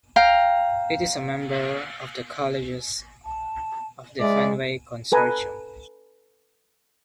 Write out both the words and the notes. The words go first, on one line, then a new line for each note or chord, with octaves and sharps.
It is a member of the Colleges of the Fenway consortium.
F5 G5 A#5
A5
G#3 D5 E5
A4 B4 G#5 A#5